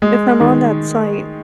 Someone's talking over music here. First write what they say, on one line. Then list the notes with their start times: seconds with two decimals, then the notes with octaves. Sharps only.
if I'm on that site,
0.02 G#3
0.40 D#3